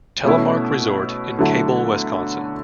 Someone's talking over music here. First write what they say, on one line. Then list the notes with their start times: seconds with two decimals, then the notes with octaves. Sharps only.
Telemark Resort in Cable, Wisconsin.
0.25 B2 A3 C#4 E4
1.38 D3 F#3 A3 E4